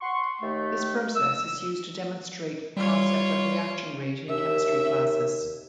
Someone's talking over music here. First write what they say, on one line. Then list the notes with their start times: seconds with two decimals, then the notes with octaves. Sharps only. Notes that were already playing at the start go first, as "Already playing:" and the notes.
This process is used to demonstrate the concept of reaction rate in chemistry classes.
0.01 F#5 C6 C#6
0.42 D#2 A3
1.16 E6
2.77 G3 F4 C#5
4.29 D#2 E5